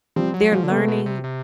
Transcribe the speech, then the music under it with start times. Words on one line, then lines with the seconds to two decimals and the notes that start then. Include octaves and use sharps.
They're learning
0.16 F3 G3 C4
0.34 F#3
0.52 F3 F#3 G#3
0.63 D3
0.69 A3 B3
0.76 C3
0.88 B2
1.06 C3
1.24 C3